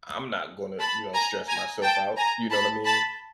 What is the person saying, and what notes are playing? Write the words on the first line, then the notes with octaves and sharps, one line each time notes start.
I'm not gonna, you know, stress myself out, you know what I mean?
A5 B5
G#5 A#5
G#5 A#5
G5 A5
G#5 A#5
A5 B5
A5 B5